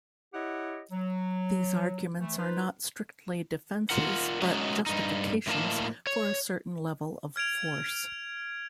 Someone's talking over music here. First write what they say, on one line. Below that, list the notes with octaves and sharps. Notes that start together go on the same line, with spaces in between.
These arguments are not strictly defences but justifications for a certain level of force.
E4 G4 C#5 D#5 F#5
F#3
E3 A3
D#4 F4 B4 C5
F4 A#4 F#5
F#3 G#3 A3 C#4 D#4 F#4
G2 D#4
A2 F3 A#3 D#4 F5 A5
C#5
F6 G#6 D7 F7